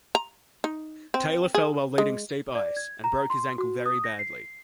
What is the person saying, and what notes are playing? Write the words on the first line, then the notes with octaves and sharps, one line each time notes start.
Taylor fell while leading steep ice, and broke his ankle very badly.
A#5
D#4
C4
G#4
G#3
D5
G#6
A#5
C6
F#4
D#6
A#6
C7